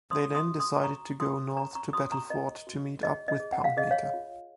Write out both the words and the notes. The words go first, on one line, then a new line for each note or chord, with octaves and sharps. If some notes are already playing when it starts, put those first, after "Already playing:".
They then decided to go north to Battleford to meet up with Poundmaker.
C#5 C6 D#6
C6 D#6
F#4
C6 D#6
F#4 A#5 C#6
A#4 C6 D#6
C#5 A#5 C#6
A#5 C#6
F#4 C6 D#6
A#5 C#6
A#4 D#5
F#4
G#4 D#5
D#5
G#4
F#5
F5
G#4 D#5
C#5 F5
F4